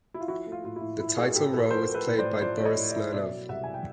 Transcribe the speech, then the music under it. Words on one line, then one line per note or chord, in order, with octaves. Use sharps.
The title role was played by Boris Smirnov.
E4
F4
F3 E4 F#4
A3
F4
A2 F4
E4
A2
F3 E4
A3 F#4 G#4
A2 G4 A4
A2 A4 B4
F3 A#4 C5
A3
A4 B4
A2
C5 D5
A2
F3 C5 D5
A3 D5
C#5 D#5
A2
D5 E5
A2
B2 D5 E5
F#3
C2 E5 F#5
C2 G#5
G5